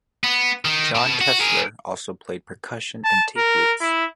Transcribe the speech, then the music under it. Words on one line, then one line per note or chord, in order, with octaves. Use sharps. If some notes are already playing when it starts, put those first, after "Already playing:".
Jon Tessler also played percussion and tape loops.
B3
D#3
B2 A5
F#4
G#4 A#4
A5
A#4
E4